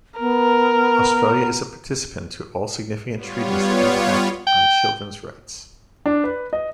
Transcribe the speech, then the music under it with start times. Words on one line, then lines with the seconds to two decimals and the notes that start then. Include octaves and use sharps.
Australia is a participant to all significant treaties that impact on children's rights.
0.20 B3 A#4
3.15 G3 B3 F4 C#5
4.47 G5
6.06 D4
6.24 B4
6.53 D#5